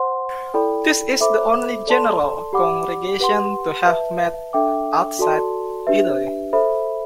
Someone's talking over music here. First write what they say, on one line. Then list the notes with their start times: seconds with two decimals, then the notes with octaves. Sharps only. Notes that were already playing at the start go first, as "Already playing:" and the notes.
This is the only General Congregation to have met outside Italy.
Already playing: C5 F#5 C6
0.54 E4 A4 D5 G5 B5
1.21 A4 C5 E5 B5 D6
1.87 A4 D5 A5 C6
2.53 G4 D5 F#5 B5 D6
3.20 G4 B4 F#5 C6
3.87 B4 E5 A5
4.53 D4 A4 E5 G5 D6
5.19 F#4 A4 D5 A5 C6
5.87 D4 G4 B4 E5
6.53 A4 C5 E5 B5